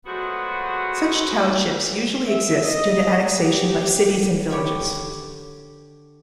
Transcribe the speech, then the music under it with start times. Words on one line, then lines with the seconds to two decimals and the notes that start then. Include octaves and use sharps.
Such townships usually exist due to annexation by cities and villages.
0.06 F3 F#3 G#3 A3 B3 F#4
2.27 E5
2.65 D#5
3.31 G4
4.50 D3 G4 C#5 B5